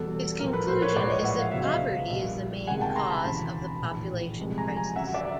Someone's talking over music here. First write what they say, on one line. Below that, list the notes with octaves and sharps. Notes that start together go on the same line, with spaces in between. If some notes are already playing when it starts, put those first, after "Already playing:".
His conclusion is that poverty is the main cause of the population crisis.
Already playing: E2 B2 G3 B3 A4
A#1 A2 F3 A#3 A#4
A4 B4
A#4 C5
B4 C#5
A#1 A2 F3 G#3 C5 D5
C#5 D#5
E5 F#5
F5
C#2 B2 F#3 B3 E5
D#5 F5
A#1 A#2 G3
C#2 C3 D#3 G#3 F#5 G#5
G5 A5
A#5 C6
A5 B5
E1 D2 C#3 E3
A#1 A2 E3
C2 C3 F3 G#3 C4
G#5 A#5
G#5 A#5
D2 C#3 F#3 E5 F#5
D5 E5